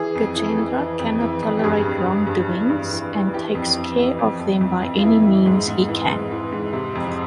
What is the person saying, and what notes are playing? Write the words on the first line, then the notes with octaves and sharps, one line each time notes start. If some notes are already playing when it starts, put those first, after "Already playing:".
Gajendra cannot tolerate wrongdoings and takes care of them by any means he can.
Already playing: E3 G#4
F2
E3
E3
E3
F2
E3
F2
G4
G2 G#4
G2
G2
G2
E3
G2
E3
E3
E3 G4
F2
E3
E3
F2
F2
F2
F2
F4
E3 E4
E3
G#2
G#2
E3
G#2
E3
G#2
C3
F2